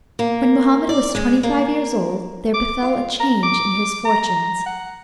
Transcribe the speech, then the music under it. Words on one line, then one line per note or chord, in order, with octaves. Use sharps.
When Mohammed was twenty-five years old there befell a change in his fortunes.
A#3
D5
G#3
A#3
D6
F4
A#5
D6
A#5
F#5